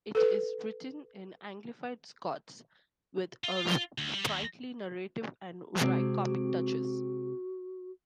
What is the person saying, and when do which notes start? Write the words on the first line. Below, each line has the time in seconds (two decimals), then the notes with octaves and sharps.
It is written in anglified Scots, with a sprightly narrative and wry comic touches.
0.15 A4 B4
3.44 F4
3.98 D2
4.14 G3 D5
4.27 D#2
5.81 C3 G#3 C4 F#4